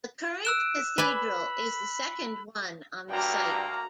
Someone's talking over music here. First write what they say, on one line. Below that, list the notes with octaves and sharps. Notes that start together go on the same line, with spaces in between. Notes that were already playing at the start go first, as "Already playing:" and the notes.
The current cathedral is the second one on the site.
E6 F#6 D7 E7
B4 D5 G#5 B5
D2 G2 A#3 F#4 G5 A#5